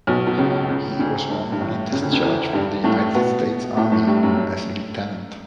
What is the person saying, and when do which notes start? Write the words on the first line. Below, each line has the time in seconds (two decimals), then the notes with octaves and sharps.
He was honorably discharged from the United States Army as a lieutenant.
0.07 B1 B2
0.27 B2
0.38 C#2 C#3
0.68 C#2 C#3
0.91 C#3
0.99 D2 D3
1.30 G2
1.52 G2
1.61 A1 A2
1.92 C#2 C#3
2.02 D2 D3
2.12 D2 D3
2.22 E2 E3
2.53 G2 G3
2.84 A2 A3
3.15 B2 B3
3.77 A2 A3
3.92 A2 A3
4.07 G2 G3
4.23 F#2 F#3
4.38 A3